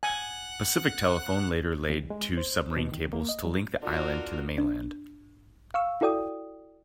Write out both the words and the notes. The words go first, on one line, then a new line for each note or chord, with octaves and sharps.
Pacific Telephone later laid two submarine cables to link the island to the mainland.
F#5 G#5 F#6
E2
G#3
C5
B2
D#3
A#3
D#5
F#3
D3 F4 F#4 A#4
D4
F5 C#6 E6
E4 F#4 A4 D5 G5 D#6